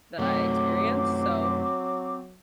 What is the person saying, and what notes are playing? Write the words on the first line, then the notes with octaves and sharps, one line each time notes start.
that I experienced. So,
F#2 F#3 A3 C4 D6